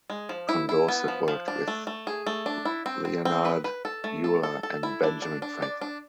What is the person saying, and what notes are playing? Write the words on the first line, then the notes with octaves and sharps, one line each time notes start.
Condorcet worked with Leonhard Euler and Benjamin Franklin.
G#3
F3
E4
E4
B3
F3
F3
D4
A3
A3
G#4
A3
D4
E4
C4
C4
C4
B4
B4
A4
A3
A4
A4
A4
E4
D4
D4
D4
D5
D4